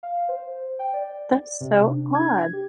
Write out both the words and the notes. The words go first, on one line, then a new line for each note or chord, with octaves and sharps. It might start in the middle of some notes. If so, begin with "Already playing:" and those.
That's so odd.
F5
C5
G5
D5
C3
D4
G#6
G4